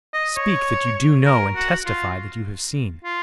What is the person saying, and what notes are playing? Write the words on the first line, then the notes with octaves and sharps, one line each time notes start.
Speak that you do know and testify that you have seen.
D#5
C#5
A#4
F#4
F4
F4